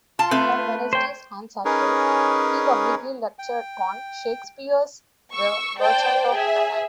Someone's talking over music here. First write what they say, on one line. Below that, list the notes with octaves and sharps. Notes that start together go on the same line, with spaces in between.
On Wednesdays and Saturdays he publicly lectured on Shakespeare's The Merchant of Venice.
F4 A5 C6
A3 C4 B4
C5 C#5 G5
C#4 D#4 G#4 A#4 B4 C#5
G5
C#6 E6
C5 D5 G5 A5
G#4 E5